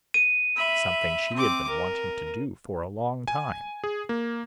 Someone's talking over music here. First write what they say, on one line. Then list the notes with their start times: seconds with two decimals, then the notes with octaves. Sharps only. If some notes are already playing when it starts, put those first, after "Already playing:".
Something she had been wanting to do for a long time.
0.14 D#7
0.56 E5 B5
1.33 C4 D6
1.69 A#4
3.28 G#5
3.84 G#4
4.09 A#3